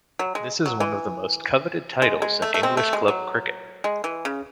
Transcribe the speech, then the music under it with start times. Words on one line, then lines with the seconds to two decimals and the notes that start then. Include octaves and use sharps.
This is one of the most coveted titles in English club cricket.
0.19 F#3
0.35 G#3
0.66 F#3
0.80 E3
2.02 G#3
2.22 G#3
2.42 A3
2.54 A3
2.63 G#3 C4
2.77 A3
2.93 G#3
3.08 F#3
3.84 G#3
4.04 E3
4.25 C#3